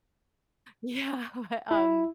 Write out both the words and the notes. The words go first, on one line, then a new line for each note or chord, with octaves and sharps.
yeah, but, um
E4